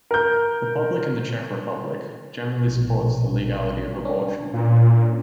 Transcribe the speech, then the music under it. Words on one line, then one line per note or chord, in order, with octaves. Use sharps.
The public in the Czech Republic generally supports the legality of abortion.
A#4 G6
A#1 B2
C#4 D4
A#2